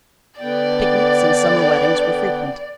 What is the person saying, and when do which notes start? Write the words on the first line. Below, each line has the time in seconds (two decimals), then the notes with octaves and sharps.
Picnics and summer weddings were frequent.
0.40 D3 B3 D5 G5